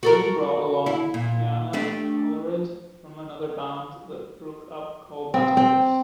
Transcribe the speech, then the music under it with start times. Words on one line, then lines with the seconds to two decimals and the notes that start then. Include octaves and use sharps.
Jamie brought along Kianna Alarid from another band that broke up called Magic Kiss.
0.03 F#4 A4 A#4
0.86 E4
1.14 A#2
1.73 A3 D4 G4
5.34 C4
5.57 C4